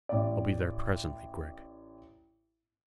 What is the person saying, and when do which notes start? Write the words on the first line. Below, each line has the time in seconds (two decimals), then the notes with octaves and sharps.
"I'll be there presently, Gregg."
0.09 A1 D5